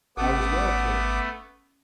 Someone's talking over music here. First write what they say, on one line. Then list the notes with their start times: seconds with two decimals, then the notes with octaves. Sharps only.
I was well cared for.
0.17 G#1 A3 B3 C#4 A4 F#5 D6 D#6